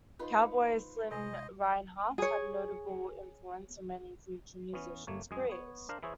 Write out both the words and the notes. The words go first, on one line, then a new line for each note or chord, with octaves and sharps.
Cowboy Slim Rinehart had a notable influence on many future musician's careers.
D#4 F4 B4 C5
C3 G#3 C5 D#5 G#5
G#4 C#5
E3 B3 C#4
G1 A3 A#3 C#5
F#2 G#3 G#4
B3 C#5
D4 A#4 C5 F5
E3 E4 G#4 C5 C#5